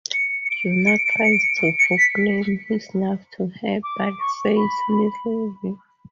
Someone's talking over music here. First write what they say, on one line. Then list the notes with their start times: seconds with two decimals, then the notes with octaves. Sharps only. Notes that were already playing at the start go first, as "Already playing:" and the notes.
Junior tries to proclaim his love to her, but fails miserably.
0.13 C#7
0.44 C#7
0.50 D7
0.78 D7
0.87 C#7
1.06 D7
1.24 C#7
1.33 D7
1.43 C#7
1.61 D7
1.79 C#7
1.98 B6
3.83 D6
4.20 C#6
4.56 B5